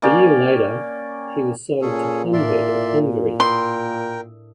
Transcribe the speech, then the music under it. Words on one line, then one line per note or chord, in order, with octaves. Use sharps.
A year later, he was sold to Honved of Hungary.
A#3 C#4 D5 G5
A#2 C#4 G#4 A4
A2 D4 A#4 D5 E5 C6
A#4 G5 C6 D#6 E6